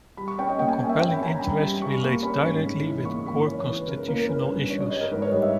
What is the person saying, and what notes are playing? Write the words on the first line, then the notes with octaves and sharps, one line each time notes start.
A compelling interest relates directly with core constitutional issues.
G3 B5
C#6
C#4 G5
D#5
A#3 G5
G#5
A#3 G5
E5
C#4 G5
B5
C#4 G#5
A#5
G2 B5
G3
G3 C#6
A#3 B5
C#4 B5
G#2
C#3
E3
A#3 C#6
A#3 B5
E3 C#5
E3 B4
C#3 A#4
A#3 A#4
A#4
C#4 B4
G2
G2 C#5
C#5
G3 D#5
A#4
G#2 B4
C#5
G3 D#5
E5